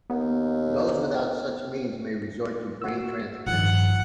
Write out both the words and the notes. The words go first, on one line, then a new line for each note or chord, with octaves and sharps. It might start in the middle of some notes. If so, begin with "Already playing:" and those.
Those without such means may resort to brain transplants.
D#2 B3
F#4 E6
A1 G2 D#3 F3 F#5